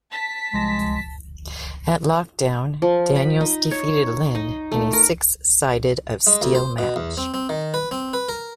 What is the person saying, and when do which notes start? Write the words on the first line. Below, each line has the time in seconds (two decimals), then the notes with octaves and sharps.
At Lockdown, Daniels defeated Lynn in a Six Sides of Steel match.
0.10 A5 B6
0.54 C2 F3 G#3 A#6
2.82 F3
3.16 B5
3.41 D#4
3.71 C#5
4.35 D#4
4.72 A3
4.93 A#4
6.27 G#3
6.42 D2
6.55 C5
6.78 B2
6.96 E2
7.17 C4
7.34 C4
7.49 D#3
7.74 B4
7.91 C4
8.13 B4
8.29 A#4